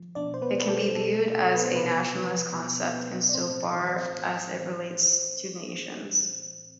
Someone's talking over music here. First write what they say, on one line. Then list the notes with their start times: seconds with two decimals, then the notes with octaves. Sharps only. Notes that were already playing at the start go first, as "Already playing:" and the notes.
It can be viewed as a nationalist concept, insofar as it relates to nations.
Already playing: F3
0.15 B2 D4 D5
0.34 C5
0.42 B3 B4
0.55 B2 B4
0.69 A4
0.95 B2 A4
1.15 A4
1.35 B2 A4
1.54 B3 B4
1.65 C5
1.74 C3 B3 B4
2.15 F3
2.54 B2
2.95 B2
3.29 D5
3.34 A2 C4 C5
3.74 E3
4.14 A2
4.54 E3